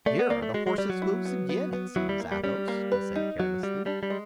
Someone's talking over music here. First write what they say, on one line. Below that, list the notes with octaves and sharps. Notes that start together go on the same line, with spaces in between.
"Here are the horse's hoofs again, it seems, Athos," he said carelessly.
A3 D5
B3
A#3 D5
A3
G#3 F#4
G#3
G3 D5
F#3
E4
B3
B3
B3
F#3 E4
G3
A#3
G3
G3 C#4
A#3
B4
D#4
F#3 F#4
G3 F#4
G3 D4
G3
G#3